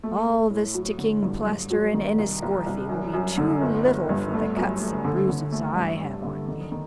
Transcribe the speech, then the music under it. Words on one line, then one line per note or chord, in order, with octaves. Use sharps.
All the sticking-plaster in Enniscorthy will be too little for the cuts and bruises I have on me.
A3
A3
A2
F#3
D3
G2
G2
F#3
D#3
C2
C2
C2
F#2
F#2
D3
G1
G1
G2
A3
F#2
A3
D3
D3
A3
G2
G3
D3
D#3
D#3